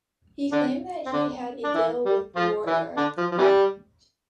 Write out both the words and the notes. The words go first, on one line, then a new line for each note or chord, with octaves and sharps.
He claimed that he had a deal with Royer.
D3 D4
C4
D3 D4
D4
E3 E4
G3
F3 F4
E3 E4
D3 D4
F3
F3
C3 E3 G3